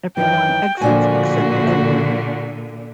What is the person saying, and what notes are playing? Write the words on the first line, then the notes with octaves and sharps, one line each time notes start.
Everyone exits except Edmond.
F#2 D#3 E3 G5
A#2 D3 F3 D4 F#4 G#5